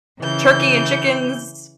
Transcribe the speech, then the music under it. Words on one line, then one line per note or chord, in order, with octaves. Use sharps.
turkey and chickens
C#3 E3 G6